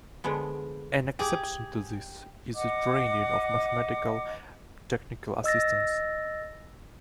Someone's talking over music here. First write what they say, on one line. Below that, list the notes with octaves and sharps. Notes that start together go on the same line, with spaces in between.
An exception to this is the training of mathematical-technical assistants.
D3 F3 G#3 B3
G4 G#4 D6
D#5 F#5 D6
D#5 E6 A6 A#6